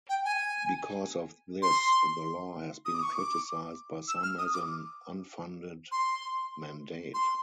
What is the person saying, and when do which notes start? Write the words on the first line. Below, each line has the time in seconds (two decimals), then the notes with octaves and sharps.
Because of this, the law has been criticized by some as an unfunded mandate.
0.09 G5
0.25 G#5
1.62 C6
2.85 D#6
2.94 D6
3.03 C#6
3.12 D6
4.08 E6
4.23 F6
4.38 D#6
4.54 D6
5.92 C6
7.14 C6